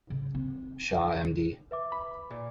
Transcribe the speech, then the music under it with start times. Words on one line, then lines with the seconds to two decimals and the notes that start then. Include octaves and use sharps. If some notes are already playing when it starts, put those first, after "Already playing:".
Shah Md.
0.10 C#3
0.35 C4
1.71 B4 E5 D6
1.92 B5
2.31 A#2